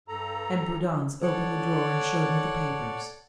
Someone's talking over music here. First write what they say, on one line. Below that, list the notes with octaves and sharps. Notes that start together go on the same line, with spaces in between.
And Prudence opened the drawer and showed me the papers.
G2 A4 A#5
A4 C#5 D5 F#5